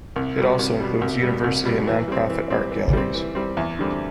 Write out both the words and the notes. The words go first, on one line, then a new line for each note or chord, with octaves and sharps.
It also includes university and non-profit art galleries.
C2
B2 G3
C2
B2 G3
C2
B2 G3
C2
B2 G3
E3
G3 C4
E3
G3 C4
E3
G3 C4
E3
G3 C4
E2
D3 G3 C4